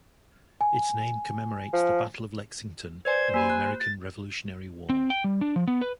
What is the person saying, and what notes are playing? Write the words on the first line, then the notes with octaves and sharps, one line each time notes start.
Its name commemorates the Battle of Lexington in the American Revolutionary War.
G#5
F3
B4 C5 D5 G#5 G#6
A#3 G4 G#5 B5
F#6
A6
C4
G5
G3
D4
F3
B3
B4